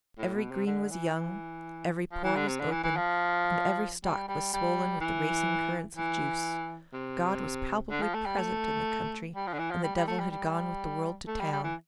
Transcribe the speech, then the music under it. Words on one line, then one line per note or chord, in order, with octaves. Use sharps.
Every green was young, every pore was open, and every stalk was swollen with racing currents of juice. God was palpably present in the country, and the devil had gone with the world to town.
A2
B2
C3
D3
E3
E3
F3
E3
D3
C3
D3
E3
E3
F3
G3
G3
G3
E3
E3
C3
D3
F3
A3
G3
A3
G3
F3
D3
E3
F3
G3
G3
A3
G3
G3
A3
G3
G3
E3